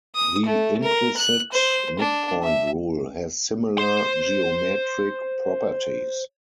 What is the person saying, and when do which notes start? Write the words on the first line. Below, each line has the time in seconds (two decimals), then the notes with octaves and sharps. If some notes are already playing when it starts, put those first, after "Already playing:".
The implicit midpoint rule has similar geometric properties.
0.15 D#6
0.46 A3
0.83 A#4
1.17 F#6
1.52 C5
1.99 D4
2.43 E5
3.78 C5 C6